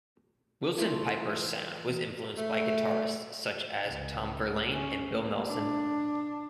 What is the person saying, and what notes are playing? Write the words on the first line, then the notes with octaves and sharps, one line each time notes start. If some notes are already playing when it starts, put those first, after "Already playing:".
Willson-Piper's sound was influenced by guitarists such as Tom Verlaine and Bill Nelson.
E3 A3 E4 F4
A3
C#2
C#4
A#3
D4